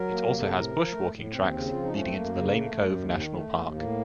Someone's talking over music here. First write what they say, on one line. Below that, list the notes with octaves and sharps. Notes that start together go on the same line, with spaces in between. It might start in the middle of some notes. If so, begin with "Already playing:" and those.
It also has bushwalking tracks leading into the Lane Cove National Park.
Already playing: F#3 A#4
A#3
C3
A4
A2 A#4
F3
A3
A2
D#2 C4
C#3
F3 F4
D#4
A3 C#4
C4
F#2 A#3
C#3
A3
F#2
D#2
D#3
A3
D#2
A2 A#3